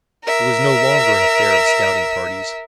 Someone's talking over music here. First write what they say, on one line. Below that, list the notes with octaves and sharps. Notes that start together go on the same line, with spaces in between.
It was no longer an affair of scouting parties.
A#4 E5